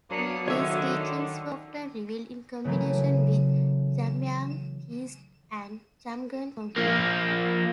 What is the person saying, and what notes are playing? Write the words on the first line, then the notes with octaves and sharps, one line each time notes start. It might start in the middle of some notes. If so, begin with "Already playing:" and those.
These teachings were often revealed in combination with Jamyang Khyentse and Jamgon Kongtrul.
F#3 A#3 B3 D4 C#5 D#6
D3 D#3 C#5 E5
C#3 E3 F#3 A3 A#3
F3 A#3